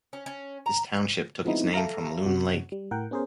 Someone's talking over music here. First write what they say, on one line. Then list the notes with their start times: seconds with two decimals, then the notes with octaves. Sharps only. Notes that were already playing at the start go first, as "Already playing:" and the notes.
This township took its name from Loon Lake.
0.13 C#4
0.26 C#4
0.66 A#5
1.45 F3 G#3 B3 C4 D#4 E4
1.74 A4 E5 F5 A#5
2.25 F#2 C3 F#4
2.72 G3
2.91 A2 A#4 F#5 G5
3.11 B3 C#4 G#4 A#4 C5